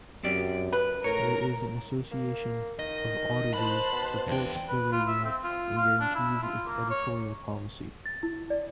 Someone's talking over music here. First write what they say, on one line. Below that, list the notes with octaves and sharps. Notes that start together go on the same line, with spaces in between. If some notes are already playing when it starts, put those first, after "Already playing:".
There is an association of auditors supports the radio and guarantees its editorial policy.
F#2 C4 G4 D5
B4
A2 A#4 C#5
A#3
D#3 D#5
C5 A5 B5 F#6
B2
E2 G2 G5
B4
F4
E5
C4
F4
F5
D4
E4
F4
A#3
C#5
A6
E4
D5